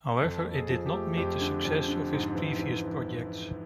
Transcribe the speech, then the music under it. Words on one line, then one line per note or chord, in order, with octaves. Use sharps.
However, it did not meet the success of his previous projects.
F2 A4
F2
G#4
F3
G4
A3
F2 G4
D3
F2
D3
G#2
E3
E3